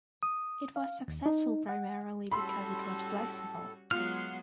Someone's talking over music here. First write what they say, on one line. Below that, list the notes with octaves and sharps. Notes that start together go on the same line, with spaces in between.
It was successful primarily because it was flexible.
D#6
F5
D#2
D#4
F#5
A2 G3 C#4 F#4 A4 B5 C6 E6
F#3 G#3 B3 F4 F#5 C6 F6